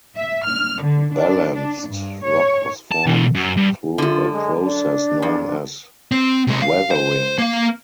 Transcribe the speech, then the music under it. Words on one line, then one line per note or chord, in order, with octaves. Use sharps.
Balanced rock was formed through a process known as weathering.
E5
F6
D3
D4
D4
G2
C#5
A5
B2 E3
F#2
G2
F#2 D3 F4
G#3
D4
F2
C4
C3 G#3
F5
C5
A#3 F5